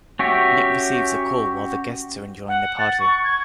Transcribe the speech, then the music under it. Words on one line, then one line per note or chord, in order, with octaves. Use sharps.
Nick receives a call while the guests are enjoying the party.
C#4 F#4 G4 E5
F#5
A6
C#6
G#6